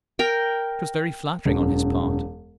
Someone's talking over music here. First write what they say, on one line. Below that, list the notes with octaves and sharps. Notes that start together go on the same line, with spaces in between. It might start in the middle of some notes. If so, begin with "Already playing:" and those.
It was very flattering on his part.
A#4 G5
E1 F#2